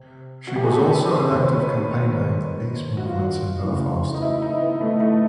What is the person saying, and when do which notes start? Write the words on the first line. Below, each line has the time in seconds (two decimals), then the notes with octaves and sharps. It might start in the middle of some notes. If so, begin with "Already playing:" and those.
She was also an active campaigner in the peace movements in Belfast.
Already playing: C3
0.47 F#4
0.56 G4
0.64 G#4
0.72 A4
0.92 B4
1.11 C5
1.30 D#2 D#3 C#5
1.39 B4
1.45 C5
1.60 B4
2.97 F#4
3.05 F4
3.64 D2 C#3 E3
4.14 D#4
4.22 E4
4.42 D#4
4.61 B3
4.81 A3
5.00 A3